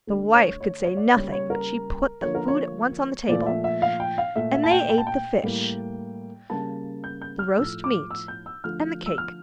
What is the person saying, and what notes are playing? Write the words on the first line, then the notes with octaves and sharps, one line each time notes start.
The wife could say nothing, but she put the food at once on the table, and they ate the fish, the roast meat, and the cakes.
D3 A3
C#5
C#5
C#5
D5
C#3 G3 A#3 C#5
C#5
A#4
D3 F3 A#3 C#5
A#4
C#5
A#2 F3 A3 D5
E5
E5
F5
G5
F5
A#2 A3 E5
E5
A5
G5
G5
A5
G5
A2 G3 A#3
C#3 G3 A#3 A5
G6
G6
F6
A2 F3 A3 E6
D6
E6
G6
E6
D3 F3 A3 F6
E6
F6